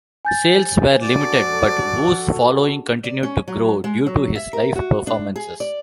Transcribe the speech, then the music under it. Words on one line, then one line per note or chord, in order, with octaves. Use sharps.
Sales were limited but Wu's following continued to grow due to his live performances.
G#5 G6 A6
F#4 A4 D5
D5
C#4
F#3
G#3
F#3
E5
A#4
F#4
D4
G#4
D5